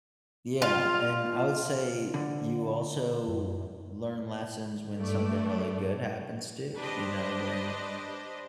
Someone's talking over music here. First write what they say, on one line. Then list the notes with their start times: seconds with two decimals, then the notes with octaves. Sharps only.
Yeah. And I would say you also learn lessons when something really good happens too, you know? When
0.62 F4
2.14 D3
3.28 F#2
4.96 G2 A3 D5
6.76 D4 G4 B4 C5 D5 D#5